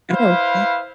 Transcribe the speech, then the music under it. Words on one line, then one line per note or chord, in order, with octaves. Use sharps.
Oh. Mm.
E4 B4 C5 F5